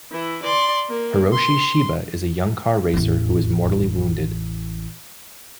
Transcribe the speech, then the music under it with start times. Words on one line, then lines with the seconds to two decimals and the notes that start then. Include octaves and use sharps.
Hiroshi Shiba is a young car racer who is mortally wounded.
0.12 E3 E4
0.43 D5 C6
0.89 A#3
1.32 C6
2.94 A1 E2